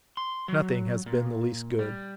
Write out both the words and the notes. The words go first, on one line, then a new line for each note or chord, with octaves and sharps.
Nothing has been the least good.
C6
F#3
A#2
G3